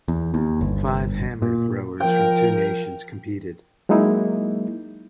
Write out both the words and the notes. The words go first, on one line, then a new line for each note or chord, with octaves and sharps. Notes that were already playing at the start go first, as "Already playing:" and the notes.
Five hammer throwers from two nations competed.
E2
D#2
G1
A#2
F3 A#4 G5
F#3 G#3 A#3 D#4 E4